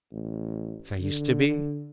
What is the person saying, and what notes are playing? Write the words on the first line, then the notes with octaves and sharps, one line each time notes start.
"As I used to be?"
A1
D3